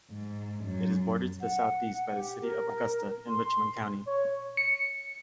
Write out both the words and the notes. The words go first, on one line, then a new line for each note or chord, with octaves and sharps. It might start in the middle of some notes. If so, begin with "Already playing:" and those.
It is bordered to the southeast by the city of Augusta in Richmond County.
G#2
F#2
F#5
G4
A#4
C6
C#5
C#7